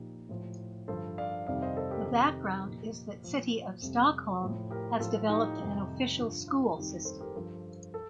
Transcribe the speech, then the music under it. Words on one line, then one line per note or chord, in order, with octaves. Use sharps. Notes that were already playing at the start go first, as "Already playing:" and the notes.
The background is that City of Stockholm has developed an official school system.
Already playing: A#2 F3 D#4 G4
A2 F3
G2 D3 F3 A4 C5
D5 F5
F2 C3 D#3 G3 D5 F5
C5 D#5
A4 C5
G4 A#4
F2 C3 D#3 D#4 G4
A#2 F3
A#2 F3
F2 C3 G3
A2 F3
G4 A#4
A2 F3 F4 A4
D#4 G4
F2 C3 D#3 G3
G2 D3 F3 F4
F4
F2 D#3 G3 D#4 G4
A4 C5
G4 A#4
G2 F3 A4 C5
A4